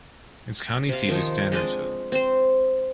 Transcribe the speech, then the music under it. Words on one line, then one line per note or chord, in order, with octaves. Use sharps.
Its county seat is Stanardsville.
C3 F5
D#3 F3 D#4
G#3 C4 D4 D#5
C4 C5